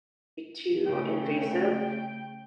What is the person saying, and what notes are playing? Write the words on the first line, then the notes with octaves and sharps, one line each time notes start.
too invasive,
C#3 A3 G5